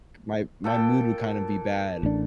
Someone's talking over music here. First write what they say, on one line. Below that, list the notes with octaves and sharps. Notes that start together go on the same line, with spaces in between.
my my mood would kind of be bad,
A#2 A4 G5
A1 D4